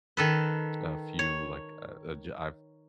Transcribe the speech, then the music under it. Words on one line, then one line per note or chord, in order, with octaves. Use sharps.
a few, like, uh, a jo I've
D#3 A4 B4
C#5